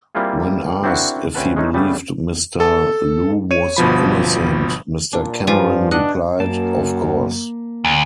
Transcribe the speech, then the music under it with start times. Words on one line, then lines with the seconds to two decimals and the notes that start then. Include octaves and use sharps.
When asked if he believed Mr Lew was innocent, Mr Cameron replied: of course.
0.15 G3 A#3 C4 E4 F4 G#4
0.83 C4 D4 E4 F#4 A#4 F#5
1.35 D2 C4 C#4 B4 F#5 A5
1.56 G#3 A3 C#4 D#4
1.73 C#3 G3 A3 B3 D4
2.60 A4 A5
3.51 C#5 D#7
3.76 G1 B2 F3 B5
5.13 A#2 D4
5.47 G2 F3 G3 F4 B4 D5 G#5
5.91 D4 D#5 F#5 F#6
6.40 F#2 A#3 A5
7.85 D2